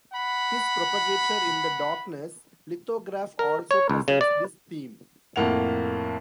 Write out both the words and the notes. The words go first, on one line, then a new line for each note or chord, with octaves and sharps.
His "Propagator in the Darkness" lithograph also presents this theme.
F#5 B5
A#4
C#5
C#2
C#3
D5
F2 A2 A#3 F#5 F7